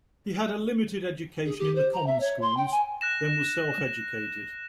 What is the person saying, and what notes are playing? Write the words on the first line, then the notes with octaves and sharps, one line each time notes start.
He had a limited education in the common schools, then was self-educated.
G#4
G4
C5
A#5
E5
C#5
C6
G5
G#5
F#6 A#6 E7